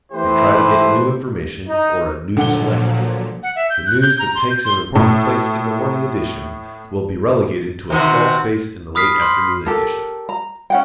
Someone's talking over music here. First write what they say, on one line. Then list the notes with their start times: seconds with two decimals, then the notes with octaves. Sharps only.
They try to get new information, or a "new slant." The news that takes an important place in the morning edition will be relegated to a small space in the late afternoon edition.
0.12 E3 A3 E4 G4 B4 C5
1.68 D#4
2.37 A#2 D3 F3 F#3 F#5 G7
3.43 F#5
3.56 E5
3.70 G6
3.87 F#6
4.02 G6
4.19 A#5
4.35 C6
4.50 G6
4.65 C6
4.95 A2 A3
7.90 C3 D#3 F#4
8.95 B5 D#6 F6 B6 C7
9.22 C6
9.66 G4 A4 A#4
10.29 A#5
10.70 C#4 F#5 G5